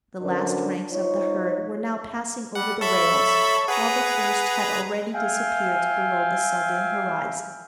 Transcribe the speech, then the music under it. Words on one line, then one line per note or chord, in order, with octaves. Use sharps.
The last ranks of the herd were now passing over the rails, while the first had already disappeared below the southern horizon.
F#2 D3 D4 A#4 C5
D#4 F4 C5 C#5
G3 F#5
A4 C#5 E5 B5
G#4 B4 F#5 A#5
E5 F5 G5 G#5